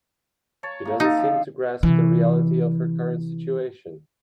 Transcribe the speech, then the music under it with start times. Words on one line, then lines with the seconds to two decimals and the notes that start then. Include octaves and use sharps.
She doesn't seem to grasp the reality of her current situation.
0.63 C#5 A5
0.85 C3 A#3
1.00 D#4 A4 D#5 F5
1.17 F3
1.83 C3 E3